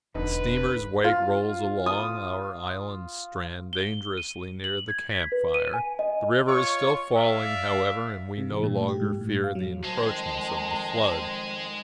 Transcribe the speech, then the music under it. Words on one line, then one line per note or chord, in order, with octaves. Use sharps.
A steamer's wake rolls along our island strand, dangerously near the camp-fire; the river is still falling, however, and we no longer fear the encroachments of the flood.
E1 D3 D#4 B4
F4
D#6
G7
D#7
F#7
G#6
B6
B4
D#7
G#5
D#5
F4 C#5 C#6
D5 E5 F5
C3
E3
A#2
A3
G4
G#2
A2
F5
F#3
F2 D#3 G#3 C5 A5